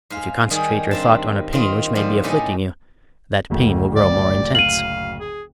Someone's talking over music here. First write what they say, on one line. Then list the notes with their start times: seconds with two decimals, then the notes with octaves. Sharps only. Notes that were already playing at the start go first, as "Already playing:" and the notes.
If you concentrate your thought on a pain which may be afflicting you, that pain will grow more intense.
0.10 G#2 F5
0.50 D#3 G3 G#4
0.91 G2 C4 A5
1.53 D#3 C4 F4
1.95 D3 F3 G3
2.24 A2 A3 C#4 G4 A4 D#5
3.50 F#1 D2 A2
3.96 D5
4.55 F5 D#7 F#7
5.20 G#4